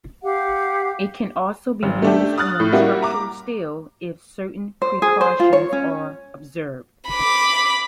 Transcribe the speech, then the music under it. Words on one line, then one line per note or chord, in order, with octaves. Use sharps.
It can also be used on structural steel if certain precautions are observed.
G4 F5 F#5
G#1
A3 D4 G4
D#6 F6 F#6 A6
A2
G3 A#3 E4 F#4 G4
A#5 D6
C5
G#4
C5
F4
C#5
C#4
B5 D6